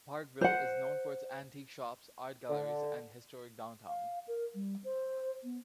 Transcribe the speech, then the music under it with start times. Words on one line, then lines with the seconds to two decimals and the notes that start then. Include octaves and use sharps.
Parkville is known for its antique shops, art galleries, and historic downtown.
0.41 C5 F#5
2.50 D3
3.87 F5
4.28 A#4
4.55 G3
4.84 C5
5.44 B3